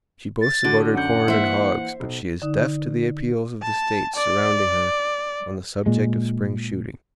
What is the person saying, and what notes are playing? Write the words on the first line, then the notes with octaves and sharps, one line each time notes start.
She boasts about her corn and hogs, but she is deaf to the appeals of the states surrounding her on the subject of spring shooting.
A6
D3 F#4
F#2 F#5 G6
E3 A#3 C5 E5
B1
D3 D#4
A5
D5
A#2 G#3